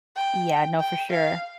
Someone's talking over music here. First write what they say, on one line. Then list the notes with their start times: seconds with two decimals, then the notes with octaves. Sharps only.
Yeah, no, for sure.
0.16 G5
0.80 G5
1.11 F5